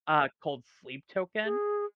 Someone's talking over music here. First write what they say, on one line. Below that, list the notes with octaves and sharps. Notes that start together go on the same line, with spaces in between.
uh, called Sleep Token.
G#4